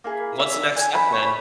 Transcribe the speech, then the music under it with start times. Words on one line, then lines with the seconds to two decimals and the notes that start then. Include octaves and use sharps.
what's the next step then
0.04 A#3 E4 G#4
0.40 E5
0.76 G#5
0.95 B5
1.12 C#6
1.23 B5